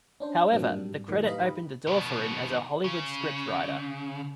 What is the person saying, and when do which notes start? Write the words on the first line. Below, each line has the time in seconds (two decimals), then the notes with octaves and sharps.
However, the credit opened the door for him as a Hollywood scriptwriter.
0.20 C#4 D4 C5
0.52 G2 A#2 F#3 A#3 C4 D4
0.70 G#2 G3
1.08 F#2 A2 D#3
1.26 D#4 G4 B4 D#5 F5 B5
1.87 B2 D#3
2.84 C#3